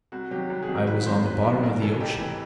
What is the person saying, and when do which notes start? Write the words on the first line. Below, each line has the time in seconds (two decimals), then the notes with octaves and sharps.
I was on the bottom of the ocean.
0.12 C2 F#4
0.31 C3 D#3 F#3 G4
0.50 C2 F#4
0.63 G#4
0.69 C3 D#3 F#3
0.75 A#4
0.87 C2 B4
1.06 C3 D#3 F#3 C5
1.25 C2 B4
1.45 C3 D#3 F#3
1.63 A1 A#4
1.82 G#2 E3 A4
2.00 A1 G4
2.20 E3